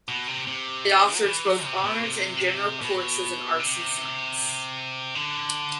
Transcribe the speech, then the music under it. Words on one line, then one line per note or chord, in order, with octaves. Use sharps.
It offers both honours and general courses in arts and science.
B2
C3
C3
F#3
E3
F#3
C3
B2
C3
B2
C3
D3